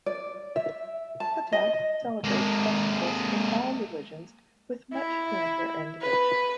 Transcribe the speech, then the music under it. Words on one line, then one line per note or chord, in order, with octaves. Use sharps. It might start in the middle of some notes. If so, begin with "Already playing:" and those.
Cuttack celebrates festivals from all religions with much fanfare and devotion.
D5
E5
A5
D#5
G#3 A#3
E4
B4